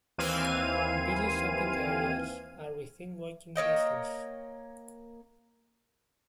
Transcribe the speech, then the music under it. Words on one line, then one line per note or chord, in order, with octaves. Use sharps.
Busy shopping areas are within walking distance.
D#2 E3 C4 F5 G#5 D#7
A#3 C#5 D#5 G5